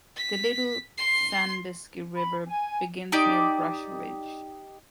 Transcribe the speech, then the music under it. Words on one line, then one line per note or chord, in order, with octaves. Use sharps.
The Little Sandusky River begins near Brush Ridge.
B6
C6 C7
B5
G#5
D#4 G4 D5